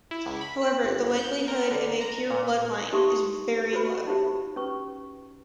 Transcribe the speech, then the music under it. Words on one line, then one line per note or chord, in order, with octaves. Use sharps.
However, the likelihood of a pure bloodline is very low.
E4
C#2
B5
F#6
G1
G6
A#4
D3
A#5
A#2
D#4 G4 A4 E5 C6 C#6
F#4 B4 C5 B5
D#4 F4 G4 C5 E5
C#4 B4 C#6